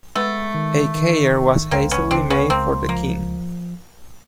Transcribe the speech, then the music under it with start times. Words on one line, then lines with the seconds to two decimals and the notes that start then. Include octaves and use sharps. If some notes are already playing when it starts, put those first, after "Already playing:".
A cairn was hastily made for the king.
0.15 G#3 A3 B3
0.54 D#3
0.94 D#3
1.33 G#1
1.71 C#2 A#3 C4
1.91 B3 C#4
2.11 C#3 C4 D4
2.30 B3 C#4
2.50 C#2 A#3 C4
2.88 F3 A#3